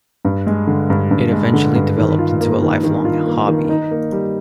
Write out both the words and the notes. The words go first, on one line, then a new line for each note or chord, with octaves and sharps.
It eventually developed into a lifelong hobby.
G2
G#3
D3
G2
G2
G#3
D3
G2
D#3
F4
A#3
D#3
D#3
F4
A#3
D#3
D#4
A#3
G3